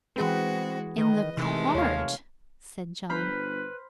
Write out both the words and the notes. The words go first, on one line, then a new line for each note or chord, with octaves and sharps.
"In the cart," said John.
E3 G#3 C4 F#4 G#4 B4
D#3 B4 D#5
C3 D#3 E3 G#3 A3
D#2 C#5 F5
G1 B4 C5 B5 F6